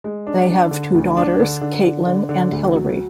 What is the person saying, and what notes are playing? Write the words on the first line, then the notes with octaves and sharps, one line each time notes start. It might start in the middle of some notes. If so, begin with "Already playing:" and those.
They have two daughters, Caitlin and Hillary.
G#3
D4
D4
D3
D2
D4
D3
D3
D3
D3
D3
D2
F#3